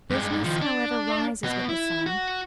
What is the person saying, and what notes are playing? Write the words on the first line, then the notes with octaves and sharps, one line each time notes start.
Business, however, rises with the sun.
G2 G#3
D#3 F3
D4
B3 F#4
E4
F#4